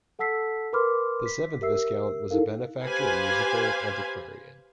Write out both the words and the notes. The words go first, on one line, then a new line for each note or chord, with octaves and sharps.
The seventh Viscount was a benefactor and musical antiquarian.
A4 F#5 A5 E6 B6 C7
A#4 B4 B5 C6 D6 F6
B6
G4 A#4 E5 E6 C7
D#4 E4 A4 A#4 F5
G4 B4 C5 F5 G#5